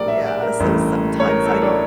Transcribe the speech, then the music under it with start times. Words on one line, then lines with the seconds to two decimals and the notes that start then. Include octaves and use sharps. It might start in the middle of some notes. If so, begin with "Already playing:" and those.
Yeah, so sometimes I don't
Already playing: A#1 A2 G3 A#4 D5
0.08 E5
0.26 D5
0.42 A#4
0.60 A1 G2 E3 A3
1.20 C#5
1.28 A#4
1.46 A4
1.62 D4